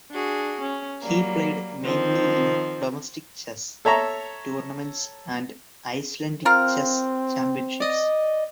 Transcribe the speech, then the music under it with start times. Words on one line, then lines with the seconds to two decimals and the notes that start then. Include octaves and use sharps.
He played mainly in domestic chess tournaments and Icelandic Chess Championships.
0.11 D4 F#4 G#4
0.60 C#4
1.01 F#3 G3 A#3
1.84 D#3 F3 C4
3.85 A4 C#5 E5 A#5
6.45 C4 F4 A#4 F5
7.80 D5 D#5